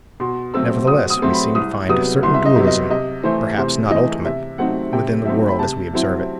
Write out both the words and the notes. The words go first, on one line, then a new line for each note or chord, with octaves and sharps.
Nevertheless, we seem to find a certain dualism, perhaps not ultimate, within the world as we observe it.
B2 C6
F#3 A3 C4 E6
B2 D#6
D#6
F#3 A3 C4 C6
B5
C2 D#6
C3 F#3 B3 D#6
C2 C6
E5
D#5
C3 F#3 B3
D#5
C3 D#5
E3 A3 C5
C3 C5
E3 A3 D#5
C3 E5
F#3 A3 C4 D#4 F#5
C3 G5
F#3 A3 C4 D#4 E5
B5
C3 A5
F#3 C4 E4